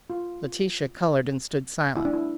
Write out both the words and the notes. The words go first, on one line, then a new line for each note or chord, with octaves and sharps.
Laetitia coloured and stood silent.
F4
E4
D4
E4